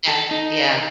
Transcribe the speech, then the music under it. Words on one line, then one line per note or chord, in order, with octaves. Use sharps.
Yeah, yeah.
A4
D#4